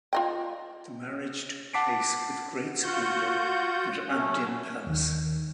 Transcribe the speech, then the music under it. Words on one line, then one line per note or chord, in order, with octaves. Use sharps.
The marriage took place with great splendour at Abdin Palace.
F4 D#5 G5
F#5 A5 D6 B6 C7 D7
F4 F#4 F#5 G6
F#2 A3 C#4
D#2 D#3